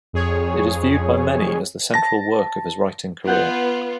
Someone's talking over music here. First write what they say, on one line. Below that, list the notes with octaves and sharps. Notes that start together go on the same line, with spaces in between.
It is viewed by many as the central work of his writing career.
F2 G#4 C#5
A5 A#6
B3 F4 F#5 G6 A6